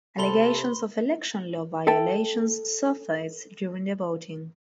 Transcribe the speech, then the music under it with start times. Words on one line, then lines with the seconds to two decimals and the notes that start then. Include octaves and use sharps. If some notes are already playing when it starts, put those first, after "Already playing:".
Allegations of election law violations surfaced during the voting.
0.18 C3 A4 B5 C6 G7
1.87 A4 E5 G5 A5